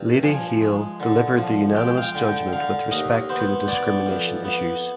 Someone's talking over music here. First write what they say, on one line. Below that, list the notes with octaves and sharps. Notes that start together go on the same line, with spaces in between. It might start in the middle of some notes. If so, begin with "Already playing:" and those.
Lady Hale delivered the unanimous judgment with respect to the discrimination issues.
Already playing: G2
F3 G#5
G#3
D3
F3
G#3 G5
F5
G5
D3
G5
D3 F5
D#2 D#5
B3 C5
B3 D5
F2
B3